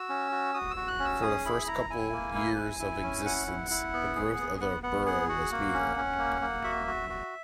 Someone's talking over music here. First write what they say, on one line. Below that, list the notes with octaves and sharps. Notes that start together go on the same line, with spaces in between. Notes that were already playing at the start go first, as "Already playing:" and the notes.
For the first couple years of existence, the growth of the borough was meager.
Already playing: F#4 E6
C#4
F#4
F#4 D#6
E6
F#4
F#6
C#4
E6
G#4 D#6
E4 B5
E4 A#5
E4 G#5
A#3
E4
E4
E4
C#4
E4 F#5
E4
E4
B3
G#4
B3
B3 F#5
B3 F#5
G#4 F#5
F#4 F#5
A#3
C#4
C#4
A#3
A#3
F#4 E5
F#4
F#4